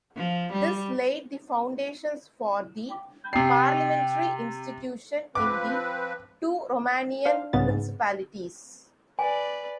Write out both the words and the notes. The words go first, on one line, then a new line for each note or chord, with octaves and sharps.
This laid the foundations for the parliamentary institution in the two Romanian principalities.
F3
G3
C3 G5 C7
F3 C4 B4 D6
D4 C5 F5
C2 G#2 C#3 B3 A6
G#2
B4 D5 G#5